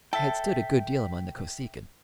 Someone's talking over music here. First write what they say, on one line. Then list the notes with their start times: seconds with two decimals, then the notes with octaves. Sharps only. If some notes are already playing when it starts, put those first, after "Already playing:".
I had stood a good deal among the Kosekin.
0.13 A4 E5 G5